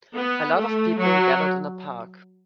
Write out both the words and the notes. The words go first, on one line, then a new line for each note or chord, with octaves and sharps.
A lot of people gathered in a park.
B3
A3
F#3